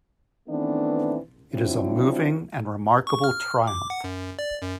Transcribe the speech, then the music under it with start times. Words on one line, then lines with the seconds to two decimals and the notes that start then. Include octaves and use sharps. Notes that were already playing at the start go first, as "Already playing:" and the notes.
It is a moving and remarkable triumph.
0.48 D#3 E3 A3 B3 C4 D4
1.53 C#3 F3 F#3 C4 D4 E4
3.07 C#6
3.24 F6
3.67 D6
3.90 F#5
4.04 F#2
4.39 D5
4.63 F#2